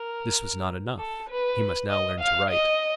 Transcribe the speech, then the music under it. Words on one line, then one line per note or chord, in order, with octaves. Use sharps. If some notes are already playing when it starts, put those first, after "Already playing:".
This was not enough--he must now learn to write.
Already playing: A#4
A4
B4
D#5
F5
D#5